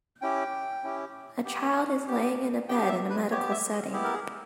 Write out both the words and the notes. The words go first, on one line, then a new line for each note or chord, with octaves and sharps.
A child is laying in a bed in a medical setting.
C#4 E4 G4 G5
C#4 E4 G4
B3 G4
B3 G4
B3 G4 G5
E5
B4
B3 G4 C#5
E5
D#5
B3 E4 G4 G#4
A#4
G#4